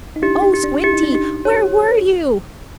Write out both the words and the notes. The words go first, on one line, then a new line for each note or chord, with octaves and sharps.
"Oh, Squinty, where were you?"
D#4
D4 E4 G4
D#4
G4
D4
E4 G4
D#4
D4
D#4 G4
C#5